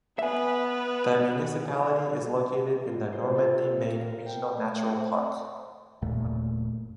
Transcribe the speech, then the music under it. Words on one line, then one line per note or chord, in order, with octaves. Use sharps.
The municipality is located in the Normandy-Maine Regional Natural Park.
B3 B4 E5 G#5
F4
C5
A4
A#4
F5
G5
A3
C4
F#1 D#2 A#2 A3